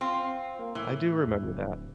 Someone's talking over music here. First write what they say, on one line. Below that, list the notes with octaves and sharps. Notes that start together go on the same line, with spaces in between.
I do remember that.
C4 F4
A#3
A2 E3
E2
D1